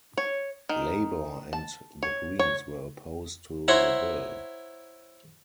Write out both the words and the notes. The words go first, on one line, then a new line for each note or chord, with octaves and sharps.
Labor and the Greens were opposed to the bill.
C#5
D#3
A5
C#5
C#5
E4 C5 C#5 E5 F#5 A#5